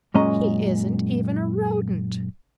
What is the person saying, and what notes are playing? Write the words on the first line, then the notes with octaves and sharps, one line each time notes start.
He isn't even a Rodent.
F#2 A#2 G#3 C#4 D#5 A#5